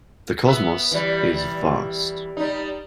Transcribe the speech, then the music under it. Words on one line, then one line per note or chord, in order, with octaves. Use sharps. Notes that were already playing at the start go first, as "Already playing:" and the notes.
The cosmos is vast.
B3 E5
E3 G3
G3 D#4